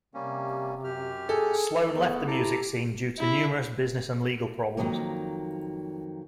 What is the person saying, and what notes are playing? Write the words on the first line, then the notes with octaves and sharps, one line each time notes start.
Sloan left the music scene due to numerous business and legal problems.
C3 G3 A#3 C#4
F#2 G4 F6
G#4 A4
E2 A3 B3 B4
E4 G4 A5 A#5 D6
E4
F2 B2 D#3 F#3 A#3